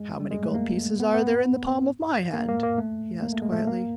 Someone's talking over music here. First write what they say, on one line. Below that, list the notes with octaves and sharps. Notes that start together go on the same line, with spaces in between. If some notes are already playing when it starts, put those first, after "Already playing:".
"How many gold pieces are there in the palm of my hand?" he asked quietly.
Already playing: G#3
G3
G#3
A3
A#3
B3
B3
A#3
A#3
A#3
A3
A#3
A3
G#3
A3
A#3